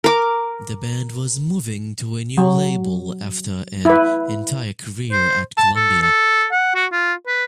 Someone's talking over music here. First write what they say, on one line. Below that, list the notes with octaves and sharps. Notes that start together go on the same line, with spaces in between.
The band was moving to a new label after an entire career at Columbia.
A#4 D6
F#3
E4 B4
C5
A5
A4
A4
F#5
F#4
F4
B4